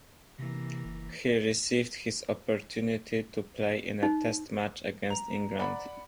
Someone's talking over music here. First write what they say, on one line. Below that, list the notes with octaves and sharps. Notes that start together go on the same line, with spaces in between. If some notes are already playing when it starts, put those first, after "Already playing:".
He received his opportunity to play in a Test match against England.
C3 E3 A#3
F#1
D#4
A#5 F7
D5 F#5 B5